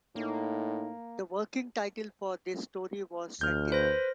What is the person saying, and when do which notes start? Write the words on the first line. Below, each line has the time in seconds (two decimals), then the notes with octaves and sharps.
The working title for this story was "Sentinel".
0.16 A2 A#3 D#4
3.41 D2 F6 G6
3.72 B4 C5 A#6